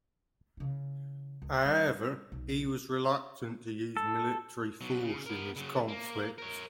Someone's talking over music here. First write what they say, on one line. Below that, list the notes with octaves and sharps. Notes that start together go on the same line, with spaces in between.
However, he was reluctant to use military force in this conflict.
C#3 E3
C#2
G3
B1
A4
B2 F#3
C#3
B3 A#4
C#3 F#3
A#3
A#4 C#5